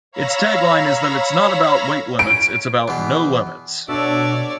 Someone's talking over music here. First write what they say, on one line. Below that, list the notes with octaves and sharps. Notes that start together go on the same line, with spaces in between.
Its tagline is that It's not about weight limits, it's about no limits!
C#5 F5 A#5 B5 E6 A#6
C#4 D7
E2 B2
B2 D4 F#4 A4 C#5 D5 E5